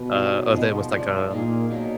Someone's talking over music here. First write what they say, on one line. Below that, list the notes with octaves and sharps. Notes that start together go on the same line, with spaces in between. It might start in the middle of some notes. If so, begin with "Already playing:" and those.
uh, of it was like a
Already playing: B2 B4
F#3 B3 D#4 G#4
B2 F3 G#3 D#4
F3 G#3 D4
A#2 A#3 D#4 G#4
B2 F#3 A#3